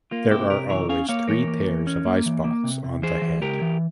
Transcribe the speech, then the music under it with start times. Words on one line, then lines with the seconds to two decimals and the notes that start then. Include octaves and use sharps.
There are always three pairs of eyespots on the head.
0.11 A#3 F4
0.31 C3 E4 G4
0.50 C3 G4 A#4
0.69 E3 A#4 C#5
0.89 C#4 F5 G#5
1.09 A#3 C#5 F5
1.28 E3 A#4 C#5
1.47 A#3
1.67 E3
1.87 C#4
2.06 A#3
2.26 E3
2.44 A#3
2.64 C3
2.84 C3
3.02 E3 G#4 C5
3.22 E3
3.42 C#2 G4 A#4
3.62 E3